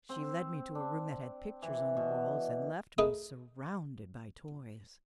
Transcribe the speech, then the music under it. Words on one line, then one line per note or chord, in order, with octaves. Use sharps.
She led me to a room that had pictures on the walls, and left me surrounded by toys.
C4
D4
E3
B2
A3 D#4 G#4 A#4 B4